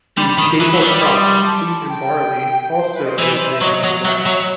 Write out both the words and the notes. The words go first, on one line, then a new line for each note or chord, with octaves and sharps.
The staple crops, wheat and barley, also originated in the west.
G3 C6
B5
D#3
E3
F#3
G3
C6
D#6
C6
A5
G5
C5
B4
D#5
C5
E3
D#5
C5
E5
F#3 D#5
F#3
F#3 E5
F#3